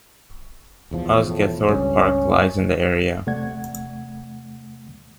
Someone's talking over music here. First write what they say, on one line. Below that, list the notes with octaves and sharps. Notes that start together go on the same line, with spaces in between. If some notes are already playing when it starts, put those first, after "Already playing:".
Osgathorpe Park lies in the area.
E1 E2 F3
A2
C#2 G2 C#4
E2 C3 A3 D5 F#5 G#6